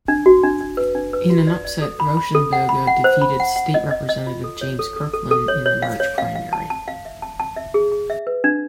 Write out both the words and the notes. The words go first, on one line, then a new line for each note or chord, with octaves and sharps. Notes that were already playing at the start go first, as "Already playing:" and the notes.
In an upset, Rauschenberger defeated State Representative James Kirkland in the March primary.
D4
F#4
D4
D4
B4
D4
B4
F#4
D5
D5
A4
B5
B5
A4
F#5
B5
F#5
C5
B5
F#5
F#5
D#5
D#5
D#5
F4
A4
C#5
A4
A4
A4
A4
C#5
C#5
F5
C#5
F5
F5
A5
A5
F5
E5
A5
A5
E5
G#4
G#4
E5
B4
D4